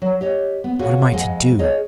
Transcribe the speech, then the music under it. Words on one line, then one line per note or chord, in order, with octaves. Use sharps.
"What am I to do?"
F#3
G4 C#5 D#5
B3
F4 F#4 G#4 B4 C#5
F2 G#3 F#5
G#4 C#5 D#5